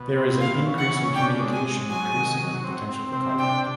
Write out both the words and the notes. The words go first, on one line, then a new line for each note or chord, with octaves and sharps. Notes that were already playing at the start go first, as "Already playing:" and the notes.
There is an increase in communication increasing the potential for conflict.
Already playing: B2
C4
E3 F5
C#4
F#5
C#3
D4 G5
G#3
G#5
G#3
F#3 G#5
D#3
F#3
C4
C4
C3
D4 G5